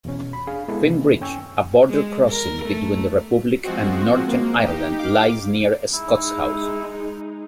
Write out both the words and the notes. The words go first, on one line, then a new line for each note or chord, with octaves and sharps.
Finn Bridge, a border crossing between the Republic and Northern Ireland, lies near Scotshouse.
E2 B2 C#4
B5
D4 G#4 F5
G#3 B3 E4 A4
C3 D#3 A#3
F#2 C#4 G5 G#5 C#6 E6
G#3
A#4
A3
F3 G#3 C4 F#4
A#3
D#4 G4
F5 D6
G#3 D#4 E4